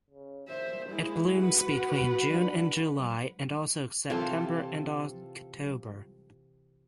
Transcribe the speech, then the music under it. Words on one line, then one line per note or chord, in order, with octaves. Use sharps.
It blooms between June and July and also September and October.
C#3
A#2 C5 E5
G#3 E4
F#4 B4 F#5
D4
C3 E3 C4 F4 A4